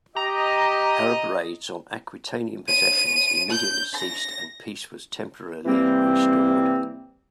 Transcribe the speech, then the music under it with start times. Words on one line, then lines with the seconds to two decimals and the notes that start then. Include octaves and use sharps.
Arab raids on Aquitanian possessions immediately ceased and peace was temporarily restored.
0.16 G4 D#5 A#5
2.68 D#7
3.51 G6
3.95 A#6
5.66 C3 E3 G3 A#3 C4